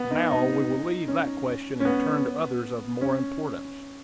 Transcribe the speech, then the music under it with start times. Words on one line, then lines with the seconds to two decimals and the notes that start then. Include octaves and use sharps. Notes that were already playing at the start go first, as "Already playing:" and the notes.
"Now we will leave that question, and turn to others of more importance."
Already playing: B3
0.11 D#4
0.31 D#4
1.08 C#4
1.80 C#4
1.85 B3
3.01 C#4